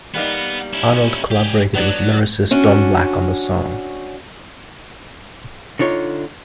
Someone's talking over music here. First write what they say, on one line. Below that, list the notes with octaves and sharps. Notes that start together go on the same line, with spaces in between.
Arnold collaborated with lyricist Don Black on the song.
G3 A#3 B3 D#4
C#4 E4
G4 G#4
F#3 B3 D4
C#4 D4 F#4
D3 D#4 F4 C#5